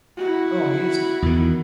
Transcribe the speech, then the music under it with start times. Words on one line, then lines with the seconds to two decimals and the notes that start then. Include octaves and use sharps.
Oh, he's
0.17 E4 F#4
1.22 E2 D#3